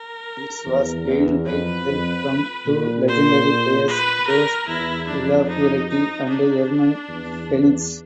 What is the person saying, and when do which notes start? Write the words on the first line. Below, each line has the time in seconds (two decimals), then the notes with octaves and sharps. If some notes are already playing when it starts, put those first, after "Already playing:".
This was gained by help from two legendary players Jose Villafuerte and Ermen Benitez.
Already playing: A#4
0.66 E2
1.06 E2
1.46 F2 B4
1.86 F2
2.66 A#2
3.07 C5
3.87 B4
4.27 A#4
4.68 E2 E4
5.07 F2 D4
5.48 D#4
5.89 D#4
6.29 D4
7.08 E2
7.49 E2